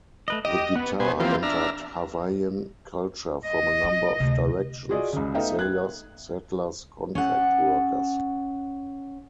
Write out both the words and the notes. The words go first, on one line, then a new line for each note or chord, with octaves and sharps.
The guitar entered Hawaiian culture from a number of directions-sailors, settlers, contract workers.
A3 B4 D#5
G4 D#5
B3 B4
B2 B3 C5 G#5
E3 F3 A#3 C4 F4 G4
D4 E5 A#5 F6
D#5
F4
D2 C3
F4 F#4 G#4 D5 D#5
C#2 C#3
A3 B3 D#4 E5 F5 G5
F#6 G#6
C#4 F#5